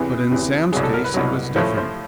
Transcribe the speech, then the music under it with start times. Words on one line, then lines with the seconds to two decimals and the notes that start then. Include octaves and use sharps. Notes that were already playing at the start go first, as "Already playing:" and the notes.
But in Sam's case it was different.
Already playing: E2 C3 E3 G#4
0.31 E2 C3 E3 G4
0.72 C2 B2 F#3 G#4
0.83 A4
0.94 A#4
1.04 B4
1.14 C2 B2 F#3
1.56 A2 F3 A3 C#4 C5
1.77 C5